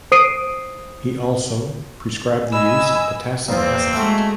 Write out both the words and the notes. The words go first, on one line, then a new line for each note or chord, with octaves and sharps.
He also prescribed the use of potassium acetate.
C5 D#6 C7 D7 D#7
D#5 G#5 B5 E6
E2 F3 A#3 C4
G#3 A3 E4 F#4